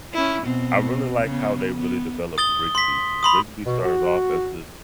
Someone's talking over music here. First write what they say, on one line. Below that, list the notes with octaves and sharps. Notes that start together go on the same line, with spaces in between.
I really like how they really developed Rigby because Rigby started off as this
C#4 E4
B2 C4
C#3 B3
B3
D#6 A6 G7
C6 B6
B5 C6 D#6
B2
F#4